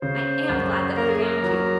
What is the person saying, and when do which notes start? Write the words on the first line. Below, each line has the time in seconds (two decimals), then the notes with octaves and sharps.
I am glad that I found you.
0.02 C#3 C5
0.49 F#2
0.96 A#3 A#4
1.10 G#4
1.23 A#4
1.43 F#3